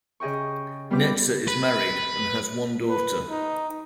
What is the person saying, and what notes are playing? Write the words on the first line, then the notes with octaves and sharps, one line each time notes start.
Netzer is married and has one daughter.
C#3 G#4 D#5 G5 C#6
G3 B3 F4 B4 G5 D6
B4
B4
D#4